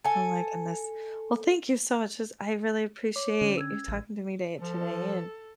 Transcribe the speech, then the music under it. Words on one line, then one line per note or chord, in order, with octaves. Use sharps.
oh my goodness, well, thank you so much 'cause I really appreciate you talking to me day today, and
A4 G#5
C#5 D6
D3 C#4
E6 G#6
A1
F3 A4